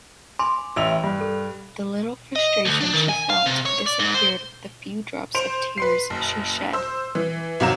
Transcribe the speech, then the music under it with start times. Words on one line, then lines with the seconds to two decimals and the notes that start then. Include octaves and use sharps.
The little frustration she felt disappeared with the few drops of tears she shed.
0.39 G#5 B5 C6 D6
0.76 A1 E4 E6 F7
1.04 G2
1.21 A4
2.36 D#5
2.66 D2
2.81 D4
2.93 D#3
3.09 G#5
3.30 F5
3.46 C3
3.66 C#5
3.86 D5
3.99 G#2
4.14 C5
5.35 C5 D7 F7
5.78 B4 C6 C7
6.10 F#1
6.73 C5 E6
7.15 E3
7.60 G#1 C3 F#3 F5 A#5 E7